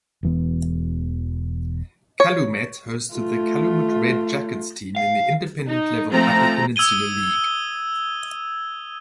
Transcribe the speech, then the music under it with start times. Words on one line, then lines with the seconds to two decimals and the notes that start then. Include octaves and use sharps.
Calumet hosted the Calumet Red Jackets team in the Independent level Upper Peninsula League.
0.23 E1 E3 B3
2.20 C#5
3.14 A3 F4
4.96 F5
5.67 D#4
6.11 F3 A3 C4 A#5
6.76 D#6 E6 G#6 D#7 G7